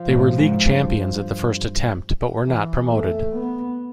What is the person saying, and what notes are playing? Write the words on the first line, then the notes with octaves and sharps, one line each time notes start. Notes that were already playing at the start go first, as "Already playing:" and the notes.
They were league champions at the first attempt, but were not promoted.
Already playing: F3
A2
G#2
G2
E3
A3
B3